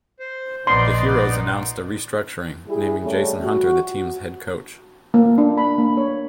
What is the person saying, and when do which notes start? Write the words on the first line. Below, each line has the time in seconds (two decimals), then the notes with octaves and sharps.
The Heroes announced a restructuring, naming Jason Hunter the team's head coach.
0.20 C5
0.67 A#1 A#2 B3 D#4 D5 C6
2.67 G3 E4 G#4
3.03 C#3 G3 A3 C#4
3.43 F#4
5.14 A#3
5.38 D4
5.58 B5
5.78 A#3
5.97 C#5